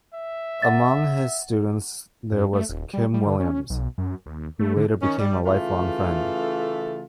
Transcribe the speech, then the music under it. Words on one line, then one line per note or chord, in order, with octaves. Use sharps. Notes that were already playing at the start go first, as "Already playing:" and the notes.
Among his students there was Kim Williams who later became a lifelong friend.
E5
F#5 A6
F#2
A3
D#1
G3
G3
D3
C#4
B1
F#2
D#2
A3
D3
D#3 C#4
G3
C#3 E3 A3 F4 A4